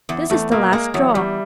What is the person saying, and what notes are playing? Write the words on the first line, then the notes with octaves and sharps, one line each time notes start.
This is the last straw.
E2
E2 A3
B2 A#3
G#3 A#3
E2 F#3
E2 G3